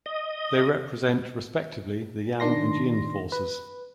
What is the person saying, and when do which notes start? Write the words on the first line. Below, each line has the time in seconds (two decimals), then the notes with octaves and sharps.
They represent respectively the yang and yin forces.
0.06 D#5
2.40 D#3 D4 C6 A#6
3.32 B4